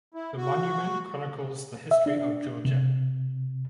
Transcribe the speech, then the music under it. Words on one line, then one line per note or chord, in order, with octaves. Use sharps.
The monument chronicles the history of Georgia.
E4
F#4
E5
D4
C3